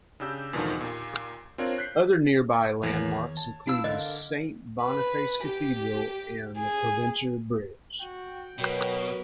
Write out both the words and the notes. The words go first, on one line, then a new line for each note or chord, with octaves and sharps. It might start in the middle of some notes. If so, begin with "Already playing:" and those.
Other nearby landmarks include the Saint Boniface Cathedral and the Provencher Bridge.
C#3 D4 G4 E6 G6
E2 G2 B2 D3 D#3 F3
D#2 A#2
C4 D4 F4 A#4 C#5
F#6 G6 B6 C7
E2 D#3 A#3 C#5
A5
D4 E4 F5 E6
D3 A#4 D#5 D6
B4
G4
G#4
F#4 G5
B2 F#3 A#4 B4